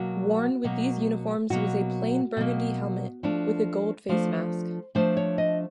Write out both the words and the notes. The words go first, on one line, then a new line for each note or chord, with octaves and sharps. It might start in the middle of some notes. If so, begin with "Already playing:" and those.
Worn with these uniforms was a plain burgundy helmet with a gold facemask.
Already playing: B2 F#3 A#3 F#4
B2 F#3 A#3
B2 F#3 A#3 F#4
B2 F#3 A#3
F3 A3 D4
F3 A3 D4 C5
F3 A3 D4 C5
C#5
D#5